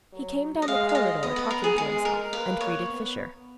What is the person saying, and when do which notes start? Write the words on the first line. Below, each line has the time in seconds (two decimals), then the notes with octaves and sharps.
He came down the corridor talking to himself, and greeted Fisher.
0.12 F#3
0.62 D#5
0.68 G#3 F5
0.89 F5
0.95 D#5
1.23 B3 D#5
1.36 B4
1.51 A#4
1.64 G#4
1.78 G#3 G#4
2.05 A#4
2.33 A#3 B4
2.61 C#5
2.87 B3